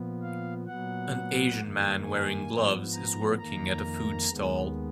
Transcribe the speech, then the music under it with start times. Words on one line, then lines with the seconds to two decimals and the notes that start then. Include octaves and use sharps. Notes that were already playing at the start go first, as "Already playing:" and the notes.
An Asian man wearing gloves is working at a food stall.
Already playing: A#2 F3 B3
0.22 F5
0.67 A#2 F#3 B3 F#5
1.58 F#2 D#3 A#3
2.03 G#5
2.48 G#2 F3 B3
2.93 A#5
3.38 F2 D#3 A#3 A#5
4.29 D#2 D#3 G#3 B3